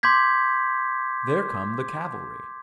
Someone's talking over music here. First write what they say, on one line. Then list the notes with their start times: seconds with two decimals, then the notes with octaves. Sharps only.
"There come the cavalry."
0.03 C6 D6 G6 G#6 B6